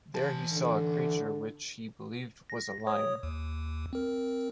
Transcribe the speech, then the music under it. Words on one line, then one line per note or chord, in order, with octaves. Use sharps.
There he saw a creature which he believed was a lion.
E3 A5
D3
A#6
C#5 D#6
D#2
C4 A#4